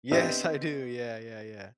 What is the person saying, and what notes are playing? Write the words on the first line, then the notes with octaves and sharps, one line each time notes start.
Yes, I do, yeah, yeah, yeah.
B3 C4 D4 D#4 G4 E5